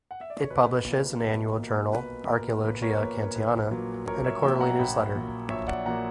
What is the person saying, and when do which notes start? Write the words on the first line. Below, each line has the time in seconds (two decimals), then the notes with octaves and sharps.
It publishes an annual journal, "Archaeologia Cantiana", and a quarterly newsletter.
0.11 F#5
0.21 E5
0.30 D5
0.41 C#5
0.50 B1 B4
0.85 A#2 A#3
1.21 B1
1.57 A#2 A#3
1.93 B1 B4
2.28 A#2 A#3 A#4
2.64 B1 B4
2.82 A#4 C#5
2.99 A#2 A#3 B4
3.17 A#4
3.35 A#1 B4
3.71 A#2 F#3 A#3
4.07 A#1 A#4 C#5
4.24 C#5 E5
4.42 A#2 F#3 A#3 E5 G5
4.61 F#5 A#5
4.79 A#1 G5 B5
5.14 A#2 F#3 A#3
5.50 A#1 C#5 E5
5.67 D5 F#5
5.86 A#2 F#3 A#3 F#5 A#5